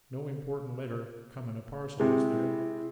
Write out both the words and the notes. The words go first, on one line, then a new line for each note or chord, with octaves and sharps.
No important letter come in a parcel, is there?'
C3 G#3 E4